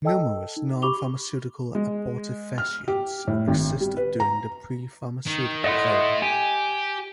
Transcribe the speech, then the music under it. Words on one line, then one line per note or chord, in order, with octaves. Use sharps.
Numerous non-pharmaceutical abortifacients existed during the pre-pharmaceutical era.
A4 D#5 G5 A5 E6
D#4
G4 B5 C#6 D6 F7 G7
G#3
F6
G4
A2
G#1
G3
B4
A#5
D#3
A3 E4 D#5 F#5 C6
G4 G#5